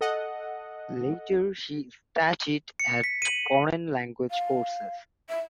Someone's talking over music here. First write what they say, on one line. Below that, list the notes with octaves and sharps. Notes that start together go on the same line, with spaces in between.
Later she studied at foreign language courses.
A4 D#5 F#5
C#7
B6
D#7 F#7
F5
E5